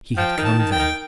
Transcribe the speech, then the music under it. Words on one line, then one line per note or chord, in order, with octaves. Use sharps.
He had come then.
F3 G5
D#3
A5
D#3
G5
D#3